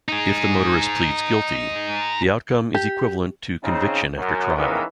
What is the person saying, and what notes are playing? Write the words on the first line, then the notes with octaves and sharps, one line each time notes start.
If the motorist pleads guilty, the outcome is equivalent to conviction after trial.
D#4 G#4
G4
C#3 C4 D#4
F#2
D#3 E3 G#3 A#3 B3 C#4